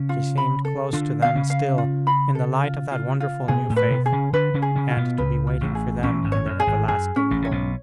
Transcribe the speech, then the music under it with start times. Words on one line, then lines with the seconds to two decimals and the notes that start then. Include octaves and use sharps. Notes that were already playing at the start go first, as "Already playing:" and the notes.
She seemed close to them still in the light of that wonderful new Faith, and to be waiting for them in their everlasting home.
Already playing: C#3 C#4
0.09 F4
0.38 B5
0.65 A4
0.93 D3 D4 F4
1.22 B3 F5
1.36 C#3 C#4
1.50 F5
1.78 F4
2.07 B5
2.35 A4
2.64 F4
2.92 F4
3.20 F4
3.48 B2 B3 G#4
3.70 A2 A3
3.76 B4
3.90 B2 B3
4.06 G#4
4.12 C#3 C#4
4.33 D3 D4 B4
4.54 C#3 C#4
4.62 G#4
4.76 C#3 C#4
4.90 F4
4.97 B2 B3
5.18 C#2 C#3 B4
5.47 F4
5.61 A1 A2
5.75 G#4
6.03 A1 A2 C#4
6.24 G#1 G#2
6.32 C#5
6.46 F#2
6.60 G#4
6.67 G#1 G#2
6.88 F#2 G#4
7.16 C#4
7.31 A1 A2
7.42 A2 C#5
7.51 B1 B2